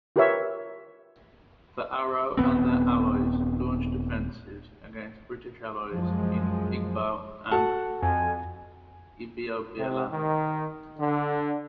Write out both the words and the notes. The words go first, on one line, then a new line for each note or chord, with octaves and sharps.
The Aro and their allies launched offensives against British allies in Igbo and Ibibioland.
F4 G4 A#4 B4 C#5 E5
D#1 A2 B3 C4
F#2 F3 G#3
F#4 A4 F#5 A5
F2 G#5
C3
D#3
D3